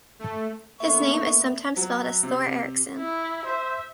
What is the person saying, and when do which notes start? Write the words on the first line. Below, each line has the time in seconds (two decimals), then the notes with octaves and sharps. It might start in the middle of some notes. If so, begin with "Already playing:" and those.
His name is sometimes spelled as Thor Eriksson.
0.19 A3
0.80 D3 A#3 B3 E5 C#6
1.77 F#3
2.23 C3
2.98 E4
3.45 C5 E5